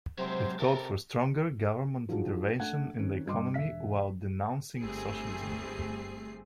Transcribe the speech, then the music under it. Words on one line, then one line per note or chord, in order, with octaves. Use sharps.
It called for stronger government intervention in the economy, while denouncing socialism.
C3 F#3 G#3 C5
C3 A4 A#4
F3 F#3 D4 D#4 F#4 G#4
A3 D4 F#5 F#6 G#6
D#3 C4 C#4
G2 G3 D#5 C6 D6
E1 E5 B6
G1 G3 A3 C4 G#4 C7